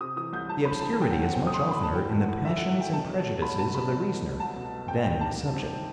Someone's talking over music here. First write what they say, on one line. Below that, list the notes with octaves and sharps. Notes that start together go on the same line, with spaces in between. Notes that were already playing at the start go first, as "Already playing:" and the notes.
The obscurity is much oftener in the passions and prejudices of the reasoner than in the subject.
C3 D#6
E3 D#6
C2 G6
C2 A5
C3 B5
E3 A5
A5
F#3 G5
F#5
A3
F#5
C4 G5
F#2 D#6
C6
D#6
F#3
B5
A3 A5
E3 G5
A3
F#5
E4
F#2 E5
F#5
E3
F#5
A3 G5
B2 A5
F#3
A3
C2 B5
B2 A5
F#3 B5
B2
A3
C2
C2 A5
B2
A3
C3 G5
D#3 G5
G3 A5
C2
C3
D#3